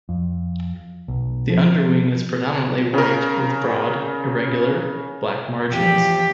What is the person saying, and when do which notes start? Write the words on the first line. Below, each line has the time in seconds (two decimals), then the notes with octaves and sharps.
The underwing is predominantly white with broad, irregular, black margins.
0.09 F2
1.08 B1
1.50 F3
2.94 C#3 A#4
5.72 E2 F3 G4